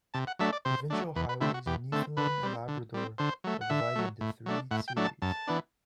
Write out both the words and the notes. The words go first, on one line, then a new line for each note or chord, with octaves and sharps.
Provincial highways in Newfoundland and Labrador are divided into three series.
C3 A5
F#5
F#3 A3 D4 E5
D5
C3 C5
F#3 A3 D4
E2 B4
B4
D3 A3 C4 E4
F#4
E2 G4
D3 A3 C4 A4
D3 B4
G3 C4
D3
G3 C4
D3 C5
F#3 A3
F#5
D3 E5
F#3 A3
A2
F#3 A3 D4
A2 F#5
G5
F#3 A3 D4
A5
F#2 A5
E3 B3 D4